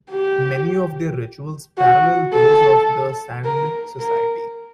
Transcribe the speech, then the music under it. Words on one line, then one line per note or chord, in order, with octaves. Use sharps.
Many of their rituals parallel those of the Sande society.
G4
F#4
A4
A#4
A#4